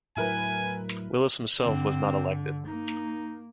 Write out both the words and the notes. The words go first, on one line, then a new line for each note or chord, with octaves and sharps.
Willis himself was not elected.
A2 F#3 E4 A#4 B4 G#5
G2 D3 C4
A#3 D#4